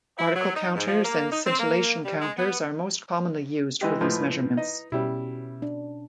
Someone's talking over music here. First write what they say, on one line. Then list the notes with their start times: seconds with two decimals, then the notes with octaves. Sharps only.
Particle counters and Scintillation counters are most commonly used for these measurements.
0.19 E4
0.35 F#3
0.55 D#4
0.75 G#2
0.88 F3
1.04 A#3
1.31 D#4
1.46 C4
1.60 A#3
2.04 G3
2.21 G#3
2.37 B3
3.81 E3 G#3 G4
4.01 A2 F3 G#3 E4 B4
4.57 D#4
4.92 B2 G3 C#4 E4
5.62 D4